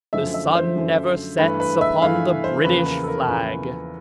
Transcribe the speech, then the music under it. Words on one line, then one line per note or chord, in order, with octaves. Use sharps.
The sun never sets upon the British flag.
F#2 D3 F3 A3 E5
E5
C5
F#2 D3 F3 A3
G2 E3 A3 B4
B4
E5
G2 E3 A3 F5
C5
E2 C#3 F3 A#3 B4
A#4
A4
A#4
E2 C#3 F3 A#3 B4